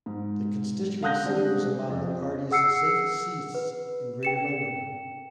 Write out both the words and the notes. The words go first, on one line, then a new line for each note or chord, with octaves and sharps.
The constituency was among the party's safest seats in Greater London.
G#2
F5 F#5 D#6 F#6 G6 A#6
G3 G#3 C4 D4 G4 G#4
F2
C4
G#4 F#5 E6 C7 C#7
B4
G5 C#7 E7